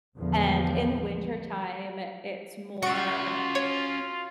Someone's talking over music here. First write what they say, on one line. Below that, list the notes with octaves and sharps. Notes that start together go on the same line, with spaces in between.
And, in the wintertime, it's more;
A#1 E2 D3 F3
C#4 F4 F#4 D#5 C#7 D7
C#5